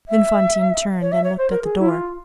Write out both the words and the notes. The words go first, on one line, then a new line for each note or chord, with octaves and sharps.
Then Fantine turned and looked at the door.
E5
C#5
E5
C#5
C5
A#4
G#4
E4
F4